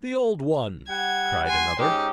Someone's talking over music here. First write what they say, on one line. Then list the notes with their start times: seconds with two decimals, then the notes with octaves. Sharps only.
"The old one," cried another.
0.89 G3 F#5 G#6
1.47 G#5 C6
1.80 G#2 C#4 D#4 G4